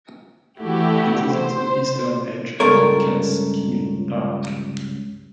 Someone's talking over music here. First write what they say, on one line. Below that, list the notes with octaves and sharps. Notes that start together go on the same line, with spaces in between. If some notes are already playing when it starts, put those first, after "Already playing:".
It is at the eastern edge of the Catskill Park.
D3 E3 A3 E4 F#4 G4
C5
C#2 G2 A4 A#4 C#5